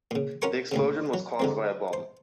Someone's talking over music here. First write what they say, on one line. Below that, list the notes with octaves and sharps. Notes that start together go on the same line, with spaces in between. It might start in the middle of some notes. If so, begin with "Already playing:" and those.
The explosion was caused by a bomb.
A#2 C#3
C#4 F4 F#4 A#4 F#5 C#6
D2 A#2 C#3
F#3
D3 G#3 C4
C5